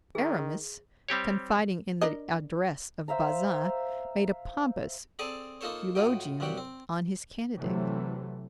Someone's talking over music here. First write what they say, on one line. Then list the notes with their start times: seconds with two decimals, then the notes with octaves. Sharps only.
Aramis, confiding in the address of Bazin, made a pompous eulogium on his candidate.
0.15 D#3 G#4
1.09 G3 C4 G4 C#5
2.01 D4 A#4 D#5
3.08 C5 E5 F5 A#5
5.19 C4 G#4 A4 D5 G#5 A5
5.61 A#3 D#4 F4 A4 C5 C#5
5.95 A2 F4 F#4 D#5 G5
6.40 C2 G2 F#3 G3 F#4 G5
6.57 C4
7.58 C3 E3 F#3 A3